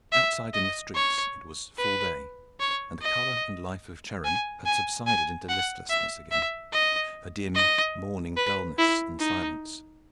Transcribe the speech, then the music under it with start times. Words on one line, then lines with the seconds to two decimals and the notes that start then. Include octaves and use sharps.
Outside in the streets it was full day, and the color and life of Charin had subsided into listlessness again, a dim morning dullness and silence.
0.12 E5
0.54 D#5
0.95 C#5
1.78 B4
2.60 C#5
3.02 D#5
4.25 G#5
4.66 G#5
5.07 G#5
5.49 F#5
5.90 E5
6.32 E5
6.73 D#5
7.55 D#5
8.37 B4
8.78 E4
9.19 D#4